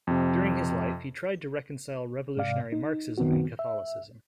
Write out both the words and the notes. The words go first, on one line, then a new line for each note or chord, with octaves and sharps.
During his life, he tried to reconcile revolutionary Marxism and Catholicism.
F2 C3
G#2 C3 D5 F5
D#4
F#2 D#3 B3 C4 F#4
E5